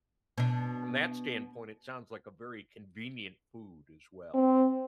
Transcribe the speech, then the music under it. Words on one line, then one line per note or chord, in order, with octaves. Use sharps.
from that standpoint, it sounds like a very convenient food, as well.
B2 D4
C4